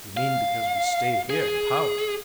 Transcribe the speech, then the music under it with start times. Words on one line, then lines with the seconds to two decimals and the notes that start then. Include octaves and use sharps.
"You mean because we stay here in Tarleton?"
0.17 F5
1.30 G#4